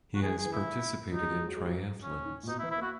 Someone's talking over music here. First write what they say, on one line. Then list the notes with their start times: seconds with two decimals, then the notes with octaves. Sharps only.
He has participated in triathlons.
0.15 F#4
0.22 E3 G#4
0.38 G#4
0.45 E3
0.53 E4
1.12 F#3 D#4
1.21 G#3
1.30 F#3
1.39 G#3
1.48 F#3
1.57 G#3
1.65 F#3
2.03 C#4
2.25 D#3
2.43 A#2
2.47 B2 D#4
2.59 E4
2.63 E3
2.71 B3 E4
2.78 A#3
2.82 F#4